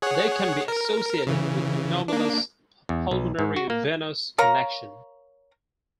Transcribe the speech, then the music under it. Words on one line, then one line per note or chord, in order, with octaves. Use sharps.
They can be associated with anomalous pulmonary venous connection.
G#4 C#5 F#5
A#4
C#3 E3
A#3 D4
E2
B1
G#2
F#4
A#3
A#4 C#5 F5 A#5